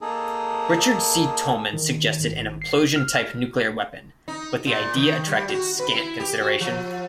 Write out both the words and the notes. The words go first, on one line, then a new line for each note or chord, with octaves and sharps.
Richard C. Tolman suggested an implosion-type nuclear weapon, but the idea attracted scant consideration.
A#3 D#4 G#4 A4
D#3
G#1
C7
F6
D#4
A#2
D#3
G3
F#4
B4
E4
G4
F#4
F3